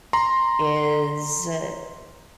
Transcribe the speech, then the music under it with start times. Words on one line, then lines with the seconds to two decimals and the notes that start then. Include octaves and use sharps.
is uh,
0.13 A#5 C6